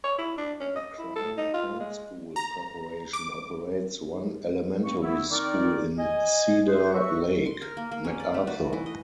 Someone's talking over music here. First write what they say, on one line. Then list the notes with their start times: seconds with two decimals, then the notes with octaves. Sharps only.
The Crown Point school corporation operates one elementary school in Cedar Lake: MacArthur.
0.04 C#5
0.18 E4
0.38 D4
0.61 C#4
0.76 D#5
0.98 E4
1.16 A4
1.37 D#4
1.54 F4
1.80 G#3
2.36 A#5
3.13 D6
4.84 A#3 C4 C#6
5.02 A3 B3 E4
5.30 D#3 C4 D#4 A#4 D5
5.98 D#5 G#5
6.67 G#4 B4 C5
6.94 F#4 B4 E5 C#6
7.46 C6
7.62 A#4
7.77 A#3
7.92 A#3
8.04 C#4
8.20 D5
8.34 A3
8.47 F#4
8.73 E3
8.86 D#5